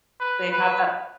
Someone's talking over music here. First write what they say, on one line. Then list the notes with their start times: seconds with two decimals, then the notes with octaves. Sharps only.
they have that
0.20 B4
0.52 B4